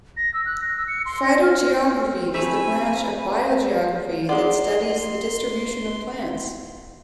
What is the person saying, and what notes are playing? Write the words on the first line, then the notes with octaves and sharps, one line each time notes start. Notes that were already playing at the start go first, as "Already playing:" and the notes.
Phytogeography is the branch of biogeography that studies the distribution of plants.
A#6
E6
F#6
A#6
E6
C#7
C6
A#6
F6
A3 C4 E5 G#5 B5
D#4 G#4 D5 F#5 C6